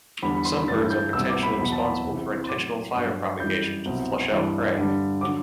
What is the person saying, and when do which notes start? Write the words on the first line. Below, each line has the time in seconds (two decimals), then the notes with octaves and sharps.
Some birds are potentially responsible for intentional fire propagation to flush out prey.
0.23 E2 D3 G3 B5
0.34 B5
0.45 C6
0.57 B5
0.68 G2 E3 G3 A6
0.91 G6
1.13 C2 B2 G3 E6
1.29 D6
1.43 B5
1.59 E2 B2 F#3 B5
1.72 A5
1.86 B5
2.04 C2 C3 E3
2.44 C6
2.49 A2 F#3 D6
2.95 G2 F#3
3.40 F#2 E3 G3 G6
3.86 C2 B2 F#3
4.31 G2 E3 G3
4.76 G2 D3 G3
5.21 D3 F#3 D6